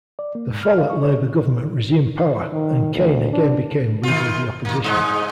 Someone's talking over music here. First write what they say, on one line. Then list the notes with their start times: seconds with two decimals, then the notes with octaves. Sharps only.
The Follett Labor government resumed power, and Kaine again became Leader of the Opposition.
0.19 D5
0.35 A#3
0.48 G#2
0.63 F6
0.78 F5
0.90 C#6
1.04 C#5
2.52 D#3
2.95 D2
3.33 D4
4.03 D#3 F4
4.65 D#2 A#3
4.84 G2 G#3